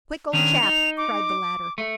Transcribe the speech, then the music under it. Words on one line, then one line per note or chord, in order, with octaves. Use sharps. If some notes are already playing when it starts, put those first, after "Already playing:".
"Quick, old chap!" cried the latter.
D#3 C#4 D4 F7
D#4
D6
A3